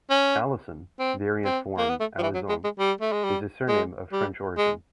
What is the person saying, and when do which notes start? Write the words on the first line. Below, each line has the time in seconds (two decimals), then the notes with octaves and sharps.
Alison, variant form Alizon, is a surname of French origin.
0.10 C#4
0.99 C4
1.45 C4
1.78 A#3
1.90 B3
2.00 A3
2.19 F3
2.23 E3
2.34 F#3
2.49 G#3
2.64 G#3
2.79 G3
3.01 A3
3.12 G#3
3.24 G3
3.68 G#3
4.13 G3
4.58 G#3